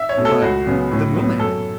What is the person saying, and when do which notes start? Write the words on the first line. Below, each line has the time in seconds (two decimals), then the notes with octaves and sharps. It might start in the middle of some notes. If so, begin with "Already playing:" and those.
but the moon landing.
Already playing: E5
0.09 C#5
0.17 B2 A3
0.25 A4
0.42 C#2 F#4
0.67 C#3 F#3 B3
0.91 A2
1.16 F#3 B3
1.39 F#2 A4